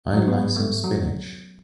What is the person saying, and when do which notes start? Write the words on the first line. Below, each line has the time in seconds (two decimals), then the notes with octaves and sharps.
I’d like some spinach.
0.14 F#3
0.28 B3
0.56 A3
0.84 F#3